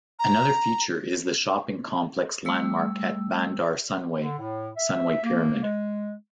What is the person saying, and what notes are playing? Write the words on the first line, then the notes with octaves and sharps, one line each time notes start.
Another feature is the shopping complex landmark at Bandar Sunway, Sunway Pyramid.
A#5
G3 A3 E6
D3
A2
E5
A#3
G#3